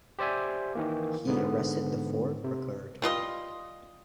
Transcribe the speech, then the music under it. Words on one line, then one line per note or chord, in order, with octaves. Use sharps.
He arrested the four Procuratori.
G4 C5 D5 E5 G#5
D#3 E3 A#3
G#2 D3 B3
C3
G3 F4 D#5 C6